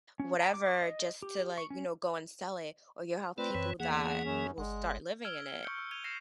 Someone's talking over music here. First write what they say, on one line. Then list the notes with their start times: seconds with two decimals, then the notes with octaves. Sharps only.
whatever, just to, like, you know, go and sell it, or you'll have people that will start living in it,
0.20 C#4
0.40 A#5
0.54 D6
0.82 D#5
1.22 G4
1.58 C#6
1.70 C#4
3.38 A3 C4 F4 B4 D5
3.55 F#2 E3 C#5
3.80 E2 E3 A#3 G#4 F#5
4.25 F#2 C#4
4.58 G1 G#3 F#5
5.24 E6 F6 G#6 D7 G7
5.49 G7
5.63 C#6 E6 G6 C#7
5.78 E6
5.91 G#6 D#7 F7 G7
6.04 F6 A#6 C7 C#7 E7